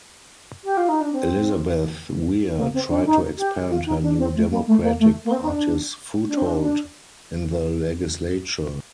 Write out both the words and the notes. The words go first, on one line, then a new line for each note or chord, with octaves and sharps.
Elizabeth Weir tried to expand her New Democratic Party's foothold in the legislature.
G4
F4
D#4
D4
C4
A#3
C4
D4
D#4
G4
F4
D#4
D4
C4
A3
A#3
A3
A#3
A3
A#3
C4
D#4
D4
D4
C4
D4
D4